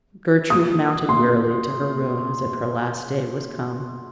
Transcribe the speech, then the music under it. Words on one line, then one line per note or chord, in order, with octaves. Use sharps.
Gertrude mounted wearily to her room as if her last day was come.
D#6
C6